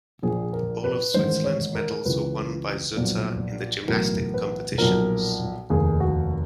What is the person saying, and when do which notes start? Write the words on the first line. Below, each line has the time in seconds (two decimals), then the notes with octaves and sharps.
All of Switzerland's medals were won by Zutter in the gymnastics competitions.
0.22 A#1 A#2 F3 G#4
0.53 A#4
0.84 B4
1.14 A1 G#2 D#3 C5
1.44 C#5
1.75 A#4
2.05 C#2 C#3 E3 B4
2.96 B1 A#2 F3
3.88 B1 A2 E3 A#4
4.34 B4
4.78 B1 A#2 F3 A#4
5.70 F1 D#2 D#3 G#4
6.00 F#4